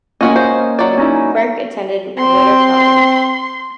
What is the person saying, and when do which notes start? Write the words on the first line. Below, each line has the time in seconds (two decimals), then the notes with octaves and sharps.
Quirk attended Whittier College.
0.21 G#3 A#3 C#4 F#4 D#5
0.36 C5 D#5
0.79 F#3 D5
0.97 C#4 D#4 E4
2.18 C4 C6